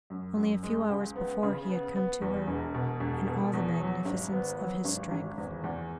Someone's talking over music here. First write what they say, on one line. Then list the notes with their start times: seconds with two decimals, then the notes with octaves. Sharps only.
Only a few hours before he had come to her in all the magnificence of his strength.
0.10 F#2
0.36 F#2
0.63 G#3
0.90 C#2
1.16 B3
1.43 C#3
1.69 B3
1.96 B3
2.22 E2
2.48 E1
2.74 B2
3.00 E1
3.27 B2
3.53 E2
3.80 F#3
4.05 G#1
4.32 B3
4.59 F#3
4.85 G#1
5.11 G#1
5.38 E2
5.64 E2